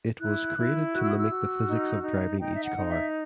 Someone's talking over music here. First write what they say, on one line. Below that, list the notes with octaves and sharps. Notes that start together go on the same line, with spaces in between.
It was created to mimic the physics of driving each car.
E4 F#6
E4
F#4 F#6
E6
D#6
E6
F#4
D#4
D#4
D#4 G5
E5
F#5
D#4
E5